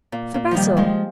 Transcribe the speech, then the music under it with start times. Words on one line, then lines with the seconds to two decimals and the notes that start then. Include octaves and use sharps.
"For Basil?"
0.12 A#2
0.34 A#2
0.51 D#3 F3 G3
0.77 F3 G#3